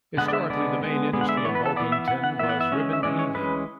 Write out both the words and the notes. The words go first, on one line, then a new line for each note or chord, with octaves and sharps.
Historically the main industry in Bulkington was ribbon weaving.
D3 G#3 B3 F#5
D5
E5
D3 G#3 B3 D5
D3 G#3 B3
D3 G#3 B3
F#5
E5
D5
E3 B3 C#5
B4
A4
E3 B3 D5
E5
E3 B3 F#5
F#5
E3 B3 E5
F#5
E5
E3 G#3 C#4
E5
E3 G#3 C#4 D5
C#5
E3 G#3 C#4 B4